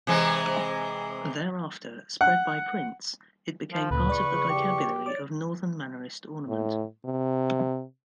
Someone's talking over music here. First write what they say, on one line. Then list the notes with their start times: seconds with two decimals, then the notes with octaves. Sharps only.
Thereafter, spread by prints, it became part of the vocabulary of Northern Mannerist ornament.
0.07 C3 E3 G#3
2.21 F#5
3.71 F3
3.91 D2 A#2 C#3 B4
4.09 E2 C#3 D5 C#6
4.50 G4
5.06 C#5 D5 D6
6.48 A2
7.05 C3